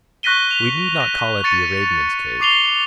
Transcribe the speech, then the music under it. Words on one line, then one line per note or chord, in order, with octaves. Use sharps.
We need not call it the Arabian's cave.
C#6 F#6 A#6 B6 D#7 G7
F7
A#6 D#7
C#6 A6 C#7 D#7
C#6 D6 C7 F7 G7